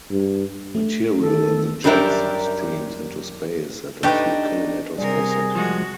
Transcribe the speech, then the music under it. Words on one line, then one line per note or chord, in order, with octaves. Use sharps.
Material in the jets streams into space at a few kilometers per second.
G2
A3
D#3 A4
F#2 G3 D4 G4 A#4 E5
A3 D4 D#4 G4 B4
C3 G3 G#4 A#4
F3 G#3 F#4